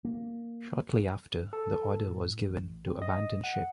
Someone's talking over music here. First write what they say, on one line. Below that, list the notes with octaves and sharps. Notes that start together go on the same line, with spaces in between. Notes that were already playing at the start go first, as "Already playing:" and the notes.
Shortly after, the order was given to abandon ship.
A#3
A4
A2
A1
C4
D#5
F#5